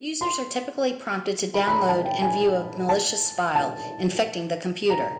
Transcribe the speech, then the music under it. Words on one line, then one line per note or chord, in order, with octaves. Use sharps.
Users are typically prompted to download and view a malicious file, infecting the computer.
C6
B5
B5
A#5
A5
G5
G#5
A5
A5
A#5